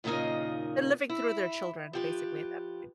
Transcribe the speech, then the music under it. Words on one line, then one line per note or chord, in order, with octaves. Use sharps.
They're living through their children, basically, at that point.
D#2 A#2 C#3 A#3 D#4 D#5
E4
F3 G4 B4